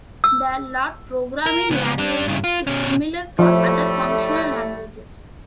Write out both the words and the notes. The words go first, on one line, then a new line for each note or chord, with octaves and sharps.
The Lout programming language is similar to other functional languages.
E6
A#4
C#2 B3
G3 D4
G2 C#3
F4
B2 C#4
A2 F3 G3 A3